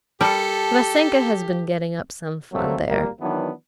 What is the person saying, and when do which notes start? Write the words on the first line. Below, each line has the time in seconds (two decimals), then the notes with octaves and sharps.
Vassenka has been getting up some fun there.
0.21 G3 G4 A4 A#4 G5 A5 C#7
2.52 D3 F#3 G3 A3 A#3 C4
2.89 G#1 A#2 G3 A#3 A#4
3.20 D#3 E3 F#3 B3 D4